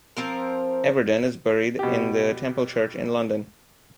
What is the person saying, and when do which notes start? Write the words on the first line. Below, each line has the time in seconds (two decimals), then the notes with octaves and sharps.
Everdon is buried in the Temple Church in London.
0.17 F3 C4 A#4
1.79 B2 G4